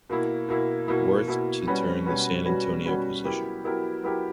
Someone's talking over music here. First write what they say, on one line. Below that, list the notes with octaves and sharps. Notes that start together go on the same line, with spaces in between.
Worth to turn the San Antonio position.
B2 A#3 E4
B2 A#3 E4
B2 A#3 E4
B2 A#3 E4
B2 G3 C#4 F#4 B4
B2 G3 C#4 F#4 B4
B2 G3 C#4 F#4 B4
B2 G3 C#4 F#4 B4
F#3 B3 E4 G4 A#4
F#3 B3 E4 G4 A#4
F#3 B3 E4 G4 A#4